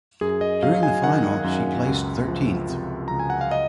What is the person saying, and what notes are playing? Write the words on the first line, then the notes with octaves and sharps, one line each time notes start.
During the final she placed thirteenth.
F#2 G#4
D#5
F#3 F5
G#5
D#3 F#5
F#2
C#2
F3
C3
C#2 A#5
G#5
F#5
F5
D#5